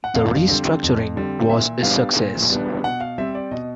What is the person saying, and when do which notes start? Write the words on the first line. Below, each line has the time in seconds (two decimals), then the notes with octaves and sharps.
The restructuring was a success.
0.04 F#5
0.14 F2 F5
0.48 D3 G3 C4
0.83 F2
1.16 D3 G3 C4
1.49 A#2 E5
1.83 G3 B3 D4 F5
2.17 A#2
2.50 G3 B3 D4
2.84 B2 F#5
3.01 F5
3.18 G3 C4 E5
3.35 D5
3.51 B2 D#5